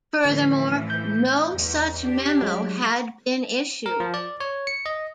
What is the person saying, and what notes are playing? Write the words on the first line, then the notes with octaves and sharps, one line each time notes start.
Furthermore, no such memo had been issued.
A2 D3 E3 F3
G6
E2
D4 G4
F#3 G#3
A#4
F3
D5
C#5
C#7
D#5